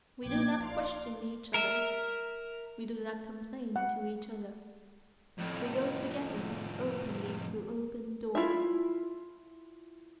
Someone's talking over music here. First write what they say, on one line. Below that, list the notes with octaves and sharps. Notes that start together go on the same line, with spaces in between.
We do not question each other, we do not complain to each other; we go together openly through open doors.
A#1 A#2 G5 D6 G#6
D5 F5 C6
A#4 E5
F#5
F2 A2
E4 F4 E5